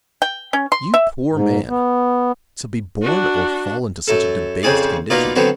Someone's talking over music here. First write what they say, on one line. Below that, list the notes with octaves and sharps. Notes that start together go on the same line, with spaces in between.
You poor man, to be born or fall into such a debased condition.
G5
C#4
C6
E5
G#2
B3
D4 F#4
F#2 A4
F2 C#3 C4 G#4 D5
B2 A#3 B3 D#4 F4 D5
D3 F#3 B3 C4 D4